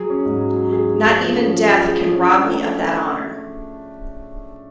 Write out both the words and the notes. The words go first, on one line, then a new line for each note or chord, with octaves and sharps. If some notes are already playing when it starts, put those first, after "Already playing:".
Not even Death can rob me of that honour.
Already playing: F#3 G#4
C#4
G#2
F#3
F#3
G#4
G#4
A3
F3
C#4
F3
G#4
G#4
F3
C#4
D4
A3